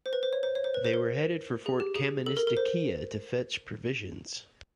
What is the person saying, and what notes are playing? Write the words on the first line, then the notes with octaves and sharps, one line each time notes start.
They were headed for Fort Kaministiquia to fetch provisions.
C5
B4
C5
C#5
C5
C#5
C5
B4
C5
A#4
G#4
G4
G#4
A4
A#4
A#4
C5